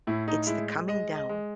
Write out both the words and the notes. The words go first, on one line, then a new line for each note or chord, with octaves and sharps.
It's the coming down.
A2 E4
D#4
G#3 E4
G#3 D#5
D#5
G#3